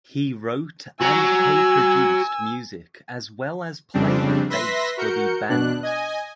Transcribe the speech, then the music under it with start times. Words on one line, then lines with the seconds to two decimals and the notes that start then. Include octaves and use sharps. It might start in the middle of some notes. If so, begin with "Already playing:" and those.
He wrote and coproduced music as well as played bass for the band.
1.01 F#4 G#5 A#5 E6
3.94 F2 C#3 G3 C4 D4
4.50 B4 E5 C6 A#6 B6
4.97 F#4 A#4 G6 C#7
5.49 B2 D4 F#6
5.83 D#5 G#5